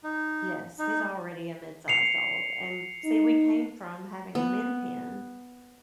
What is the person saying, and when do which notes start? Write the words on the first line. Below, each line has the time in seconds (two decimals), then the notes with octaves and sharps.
Yes, he's already a midsized dog. And, see, we came from having a Min Pin
0.04 D#4
0.79 D#4
1.88 C7 C#7 F7
3.04 D#4
4.35 B3